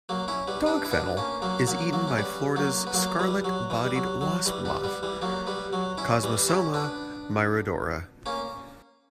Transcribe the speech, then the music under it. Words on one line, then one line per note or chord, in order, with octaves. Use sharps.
Dogfennel is eaten by Florida's scarlet-bodied wasp moth, "Cosmosoma myrodora".
F#3 A#3
C#4 E4
G3 B3
B3 D4
E4
B3 D4
A#3 C#4
F#3 A#3
F#3 A#3
F#3 A#3
C#4
G3 B3
F#3 A#3
B3
F#3 A#3
E3 G3
F#3
E3
G3
F#3
F#3
E3 G3
G3 B3
G3 B3
E3 G3
F#3 A#3
G3 B3
F#3
C#4 E4
E3 G3
C#4 E4
B3 D4
A#3 C#4